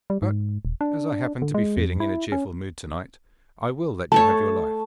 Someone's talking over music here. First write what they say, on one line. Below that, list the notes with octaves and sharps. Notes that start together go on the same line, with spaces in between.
But as I happen to be feeling in a cheerful mood to-night I will let you have your life.
G3
G#2
D#1
D4
D3
G#3
F2
E4
C#4
A3 A4 C#5 A5